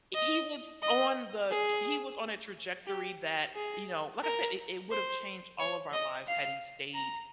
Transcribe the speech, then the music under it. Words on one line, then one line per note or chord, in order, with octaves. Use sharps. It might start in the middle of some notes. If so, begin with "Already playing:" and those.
He was on the he was on a trajectory that, you know, like I said, it it would have changed all of our lives had he stayed
D#5
D#5
G#4
G4
G#4
A#4
C5
C#5
D#5
F5
A#5